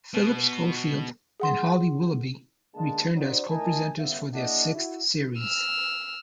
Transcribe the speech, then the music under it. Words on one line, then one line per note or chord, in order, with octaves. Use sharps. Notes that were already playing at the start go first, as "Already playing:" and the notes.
Phillip Schofield and Holly Willoughby returned as co-presenters for their sixth series.
B2
G#4 F#5 C6
D3 G#3 A#3 D4 G#4 A5
D4 D#4 F#4 C5 D5
A3 D#4 E4 A#4 G#5 A5
G1 C#3 B3 E5
A#3 D4 E4 G#4 D#5 F#5
E4 F#4
E6 F6